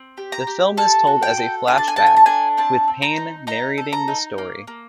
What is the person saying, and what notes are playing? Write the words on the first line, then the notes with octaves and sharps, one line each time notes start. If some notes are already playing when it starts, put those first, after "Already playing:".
The film is told as a flashback with Payne narrating the story.
Already playing: C4
G4
A#5
G4
A4 A5
F#4
G5
A4
D4 G#5
A5
G#5
A4 A5
G#5
A5
D4 G#5
C4 A5
C4
A#5
D#4
D#4 A#5
A4
A#5
D#4
A#3
A#3